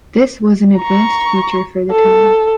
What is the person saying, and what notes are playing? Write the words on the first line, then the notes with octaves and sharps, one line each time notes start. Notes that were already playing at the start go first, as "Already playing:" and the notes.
This was an advanced feature for the time.
A#5 C#6
A4